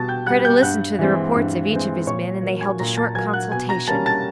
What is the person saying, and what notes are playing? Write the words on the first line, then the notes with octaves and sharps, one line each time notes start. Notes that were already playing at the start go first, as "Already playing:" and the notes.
Kreta listened to the reports of each of his men, and they held a short consultation.
Already playing: B2 G3 B3 A5 A6
G5 G6
G3 B3 F#5 F#6
G5 G6
G2 F#5 F#6
E3 G#3 C4
G2
E3 G#3 C4
A#2 C#5 C#6
F#3 A#3
G#5 G#6
A#2 A#5 A#6
A5 A6
F#3 A#3 G#5 G#6
F#5 F#6
B2 G#5 G#6
A#5 A#6
G3 A#3 C#4 A5 A6
A5 A6